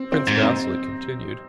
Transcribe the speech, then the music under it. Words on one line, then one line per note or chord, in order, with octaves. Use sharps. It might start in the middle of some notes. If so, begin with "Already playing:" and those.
Prince Vasili continued.
Already playing: C4
C4
G#2
C4 D#4